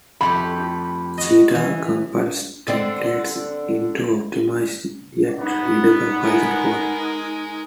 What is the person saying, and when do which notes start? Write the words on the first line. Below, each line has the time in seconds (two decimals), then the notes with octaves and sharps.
Cheetah compiles templates into optimized, yet readable, Python code.
0.21 F2 A3 G4 B5
1.18 F#4 D#5
1.55 E3
2.68 D3 C4 D5
5.41 B3 D#4
6.22 G#3 A#4